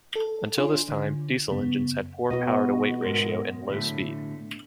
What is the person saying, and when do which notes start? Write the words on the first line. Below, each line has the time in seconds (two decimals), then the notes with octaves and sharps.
Until this time, Diesel engines had poor power-to-weight ratio and low speed.
0.16 A4
0.58 D4 F4 C#5 G#5 C6
0.89 D3
1.48 F#2 C#3 B3
2.31 B2 B3 F#4 D#5
3.02 G#2 G#3 A#4
3.68 A2 D3 A3